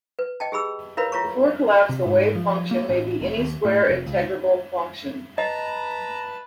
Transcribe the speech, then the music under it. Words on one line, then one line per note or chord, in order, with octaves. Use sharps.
Before collapse, the wave function may be any square-integrable function.
B4
D#5 G5 A5
G4 G#4 B5 E6
E4 A#4 B4 C#5 F5 B5
E4 F4 C#5 A#5 C#6
C3
G#2
F3
A#3
A1
F1
D#2
A2
F1
C#2
B4 D#5 A5 A#5